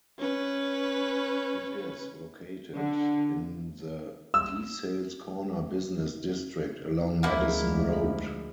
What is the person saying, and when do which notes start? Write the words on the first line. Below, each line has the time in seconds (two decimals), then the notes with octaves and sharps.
It is located in the DeSales Corner business district, along Madison Road.
0.18 C#4 B4
2.76 D3
4.34 E6
7.23 D2 F3 G#3 A#3 E4